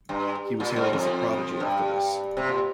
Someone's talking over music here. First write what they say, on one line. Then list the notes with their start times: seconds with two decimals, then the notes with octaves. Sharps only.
He was hailed as a prodigy after this.
0.09 G2
0.60 A#2
0.76 G#2
0.93 F2
1.60 G2
2.37 C3
2.49 A#2